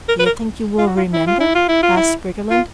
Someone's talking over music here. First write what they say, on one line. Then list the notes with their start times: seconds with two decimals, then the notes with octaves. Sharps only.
"Do you think you will remember?" asked Briggerland.
0.08 A#4
0.19 B4
0.26 A#4
0.78 F4
0.87 F#4
0.97 F4
1.13 E4
1.27 F4
1.40 E4
1.55 F4
1.69 E4
1.83 F4
1.97 E4
2.51 F4